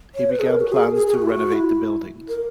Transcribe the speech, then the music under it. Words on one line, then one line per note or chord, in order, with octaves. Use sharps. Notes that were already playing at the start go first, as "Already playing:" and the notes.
He began plans to renovate the buildings.
C#5
B4
G#4
A#4
F#4
G#4
A#4
G#4
G#4
F#4
E4
F#4
E4
A#4